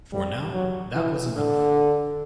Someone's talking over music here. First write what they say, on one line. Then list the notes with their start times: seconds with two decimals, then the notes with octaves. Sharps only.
For now, that was enough.
0.13 G3
0.53 F#3
0.95 E3
1.36 D3